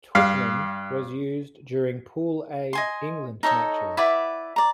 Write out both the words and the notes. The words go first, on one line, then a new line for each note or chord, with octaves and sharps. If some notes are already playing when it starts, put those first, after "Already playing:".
Twickenham was used during pool A England matches.
G2 F5
D#5 G#5 C6
D#4 A4 C#5 D#5
E4 B4 D5 F#5
D5 A#5